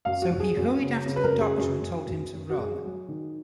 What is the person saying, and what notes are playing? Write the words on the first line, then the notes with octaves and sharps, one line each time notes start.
So he hurried after the Doctor and told him to run.
F#2 F5
F#4
F#2
G#4
F#2
C#3
C#3
B4
A#4
F#2
G#4
F#2 G#4
F#2
F#2
F#2
F#4
F#2 G#4
F#3
D#3